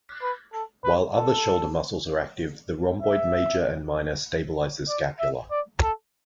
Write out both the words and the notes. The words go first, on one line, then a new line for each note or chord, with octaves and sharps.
While other shoulder muscles are active, the rhomboid major and minor stabilize the scapula.
B4
A4
B4
A4
E5
D5
E5
D5
A4